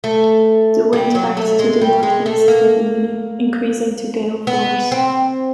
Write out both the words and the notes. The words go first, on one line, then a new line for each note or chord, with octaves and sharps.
The wind backed to the northeast that evening, increasing to gale force.
A3
G3
F#3
A3
G#3
G3
G#3
A3
A#3
B3
C4